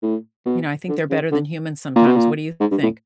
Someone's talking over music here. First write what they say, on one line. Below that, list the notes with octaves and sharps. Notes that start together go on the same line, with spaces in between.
you know, I think they're better than humans sometimes, what do you think?
A2
B2
D3
C#3
D3
A#2
B2
A#2
G#2
G2
A2